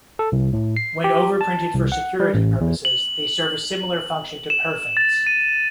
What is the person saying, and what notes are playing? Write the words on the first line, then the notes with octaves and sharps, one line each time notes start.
When overprinted for security purposes, they serve a similar function to perfins.
A4
C2
A2
C7
G4
A5
C2
F#5
G3
A1
E2
F#7
E7
A6
D#7